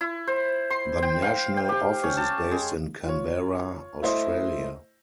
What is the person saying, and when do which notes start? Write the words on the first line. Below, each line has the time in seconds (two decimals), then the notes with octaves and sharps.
The national office is based in Canberra, Australia.
0.01 E4
0.27 C5
0.70 C6
1.02 G5
1.22 F5
1.57 G5
1.69 G4
2.03 C#4
2.17 A5
2.51 G#3
3.05 F4 C#5
4.02 A3 E4 C5 D#5